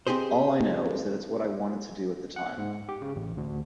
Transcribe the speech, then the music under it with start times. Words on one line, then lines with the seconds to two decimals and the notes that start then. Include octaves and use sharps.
All I know is that it's what I wanted to do at the time.
0.07 C4 D#4 G4 G#4 C5
2.36 F#5
2.58 G#2
2.89 G4
3.02 C#3
3.16 A1
3.37 D2